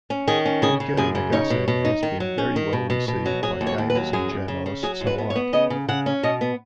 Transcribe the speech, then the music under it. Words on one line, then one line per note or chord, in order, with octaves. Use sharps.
Reiko Nagase has been very well received by gamers and journalists alike.
C#4
D#3 G#4
C#4
C#3 G#4
C#3
F#2 G#4
C#3
D#4 C#5
B2
B2
D#4
D#3
F#3
C#4
D#3
B2
B2
B2
F#3
F#3 G#4
D#2
C#5
D#2
B4
F#3
F#2 G#4
F#2
C#3
C#3
F#3 G#4
G#2
B4
B3
C#5
B3
C#3 D#5
C#3
C#3 F#5
C#4
B2 D#5
B3